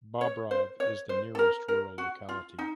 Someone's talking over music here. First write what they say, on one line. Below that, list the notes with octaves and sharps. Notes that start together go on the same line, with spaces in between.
Bobrov is the nearest rural locality.
C#5
C5
C#5
C5
A4
A#4
A#4
F#4
F4
D#4